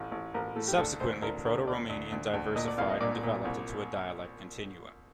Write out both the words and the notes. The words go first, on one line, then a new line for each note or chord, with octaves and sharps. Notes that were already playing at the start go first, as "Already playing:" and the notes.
Subsequently Proto-Romanian diversified and developed into a dialect continuum.
Already playing: A1 A2
A1
A1 A#4
A2 A4
G4
D2 A4
D2 C5
D2 A#4
D3 A#4
D2 D5
D2
D2
D2
A#2 D#5
D5
C2 F5
D#5
A#2 D5
A#2
C2